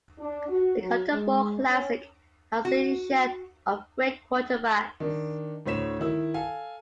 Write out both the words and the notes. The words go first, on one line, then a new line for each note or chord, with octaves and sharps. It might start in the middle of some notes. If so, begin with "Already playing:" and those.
The Cotton Bowl Classic has seen its share of great quarterbacks.
D4
F#4
F#3
G#3
C#4
F#4
D#3 D4
D2 A2 C5 C#5 B6 E7
D#3 E4 E6
A4 F5 G#5